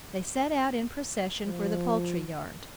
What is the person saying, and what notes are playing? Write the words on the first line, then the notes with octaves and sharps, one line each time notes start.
They set out in procession for the poultry-yard.
F3